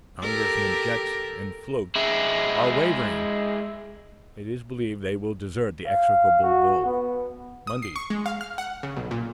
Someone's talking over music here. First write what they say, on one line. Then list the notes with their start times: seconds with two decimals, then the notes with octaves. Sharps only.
"Congressmen Jex and Fluke are wavering; it is believed they will desert the execrable bill." MONDAY.
0.22 G4 A4 A#4
1.96 G#3 E4
5.87 F5
6.43 F#4
6.85 B3
7.67 D#6
7.82 C7
7.96 C#6
8.10 G#3
8.26 F5
8.41 F6
8.58 F#5
8.83 C#3
8.97 B1
9.11 A#2